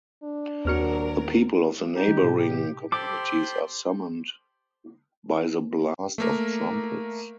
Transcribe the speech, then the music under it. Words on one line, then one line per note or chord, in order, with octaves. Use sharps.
The people of the neighboring communities are summoned by the blast of trumpets.
D4
D#1 D#2 F#3 A#4 F6 C#7
D#4 G4
D#3 G3
A2 C3
G4
G4 A4 C5 B5 C6 D6
A3 A#3 A#4